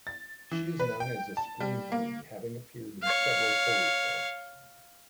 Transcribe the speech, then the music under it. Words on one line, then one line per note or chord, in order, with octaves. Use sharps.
She is known as a scream queen, having appeared in several horror films.
A6
E3
B4
G5
A5
G3
A#3
C#5 F5